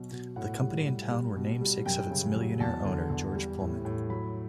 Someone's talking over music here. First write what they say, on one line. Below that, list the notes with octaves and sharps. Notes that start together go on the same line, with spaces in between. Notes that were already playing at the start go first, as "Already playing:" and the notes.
The company and town were namesakes of its millionaire owner, George Pullman.
Already playing: B2 F#3
B2
A2 F#5
G3
G3
G3
B2
G3
F#2 G5
C#3
F#3
E2 A5
D3
E2
G3
A2
A2
F#3 B5